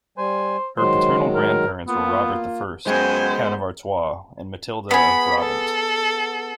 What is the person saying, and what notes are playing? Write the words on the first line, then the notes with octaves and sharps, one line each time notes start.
Her paternal grandparents were Robert the First, Count of Artois, and Matilda of Brabant.
G3 C5 G#5
D#3 F#3 G#3 C5
A#4
A#3 B3 F4
F#2 G#3 B3 C5 G5 G#5
B3 G#4 B5
A4